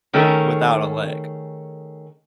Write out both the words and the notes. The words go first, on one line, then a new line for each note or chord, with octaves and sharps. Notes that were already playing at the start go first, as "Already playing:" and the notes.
without a leg.
D#3 A3 C#4 G#4 A#4